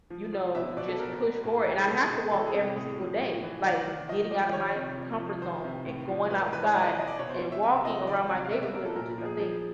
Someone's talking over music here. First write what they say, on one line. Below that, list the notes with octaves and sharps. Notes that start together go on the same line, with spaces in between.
you know, just push for it. And I have to walk every single day, like getting out of my comfort zone and going outside and walking around my neighborhood, which is, I think,
F3
F3
B2 E5
B2 D5
A4
B2 A#4
B2
A2
E3 G4
G#4
B2 A4
G#4
B2
G#4
E3 A4
G#4
C3
G4
A2 G#4
F3
A2
E3
D#3 D5
D#3
F3 D#5
F3 D5
D#3 C#5
C3
F3
F3
D#3 C5
C3
A2
F3
A2 B4
A#4
E3 B4
C#5
E3 D5
D#5
D5
E3 D#5
D5
B2 C#5
C5
B2
E5
C3 E5
E5
F3 D#5
D#3 D5
C3 D5
F5
B2 E5
E5
B2 A#4
A4
A#2 A#4
F3
G#4
F3 G#4